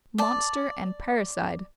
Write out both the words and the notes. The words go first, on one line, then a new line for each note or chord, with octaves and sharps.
Monster and parricide!
D5 A5